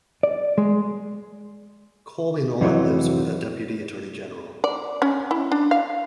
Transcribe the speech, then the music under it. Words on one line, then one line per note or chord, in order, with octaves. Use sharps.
Colby Nolan lives with a deputy attorney general.
D5
G#3
F2 C3 E3 F#3 D#4
D5
C#4
E4
D4
F5